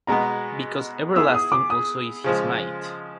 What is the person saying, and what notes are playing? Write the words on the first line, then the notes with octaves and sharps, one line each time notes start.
Because everlasting also is his might.
B2 G#3 B3 A#5
B3 E4 G#4 E6
D#6
D6
D#6
C#3 F3 G#3